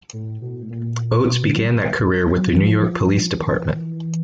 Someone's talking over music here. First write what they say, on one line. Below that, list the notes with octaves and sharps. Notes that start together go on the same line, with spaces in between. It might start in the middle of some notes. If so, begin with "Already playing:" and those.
Oates began that career with the New York Police Department.
A2
B2
A2
A#2
B2
D3
F#3
G3
F#3
F3
E3
F3
D#3
E3